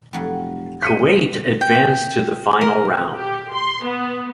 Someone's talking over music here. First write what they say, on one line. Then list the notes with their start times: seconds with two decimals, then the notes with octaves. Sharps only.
Kuwait advanced to the Final Round.
0.13 F1 F2 F#3 G3
0.82 B6 C#7 D#7
1.61 G5
2.61 A#4
3.16 G4
3.54 C6
3.86 B3